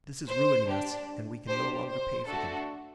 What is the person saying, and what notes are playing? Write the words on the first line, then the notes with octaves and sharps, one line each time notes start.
This is ruining us, and we can no longer pay for them.
C5
D4 G4
D4 G4 C5
C5
A3 D4 F#4 A4